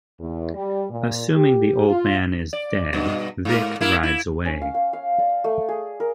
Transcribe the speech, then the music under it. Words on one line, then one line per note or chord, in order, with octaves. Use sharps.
Assuming the old man is dead, Vic rides away.
E2
G3
A#2
G4
F4
D5
G2 B2
G#2 A#4
A#3 E4 A#4
E4
C#4
F5
F5
F5
D5
A3
G#4
A#4